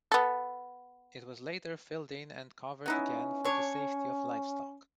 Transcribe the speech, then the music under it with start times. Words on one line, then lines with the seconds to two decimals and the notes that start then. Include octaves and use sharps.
It was later filled in and covered again, for the safety of livestock.
0.12 B3 A4
2.86 B3 C#4 D#4 E4
3.44 D4 C#5